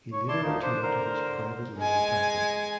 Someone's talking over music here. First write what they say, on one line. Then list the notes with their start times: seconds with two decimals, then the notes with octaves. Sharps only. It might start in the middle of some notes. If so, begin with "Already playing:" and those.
He later returned to his private legal practice.
0.13 C#5
0.28 E4 D5 A5 C6
0.43 D2 F3 D#4
0.62 D4 C5
0.83 D3 A#4 C5
1.78 G#3 G#5